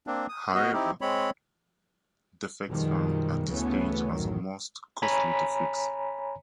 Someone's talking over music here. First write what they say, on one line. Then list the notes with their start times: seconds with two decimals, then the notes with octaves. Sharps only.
However, defects found at this stage are the most costly to fix.
0.07 A#3 C4 D4
0.29 D#6
0.54 B3 F#4 D#5
0.73 C4 D#4 E4 G4
1.01 G#3 C4 C#5 B5
2.69 F#2 B2 D#3 F3 G3 G#3
3.46 D2 C#3 E3 A3 B3 C#4
4.12 A1 F#2 A2 D#3 F#3
5.02 C#5 G#5 A#5 B5 B6